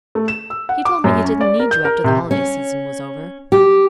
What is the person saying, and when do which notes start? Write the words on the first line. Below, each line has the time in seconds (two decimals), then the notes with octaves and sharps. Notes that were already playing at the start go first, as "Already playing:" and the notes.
He told me he didn't need you after the holiday season was over.
0.15 A3
0.28 E7
0.50 E6
0.69 F#5
0.85 D6
1.04 F#2
1.24 C#4
1.41 D5
1.60 A#4
1.71 G6
1.85 A#4
2.04 C3
2.31 C#4
3.52 G4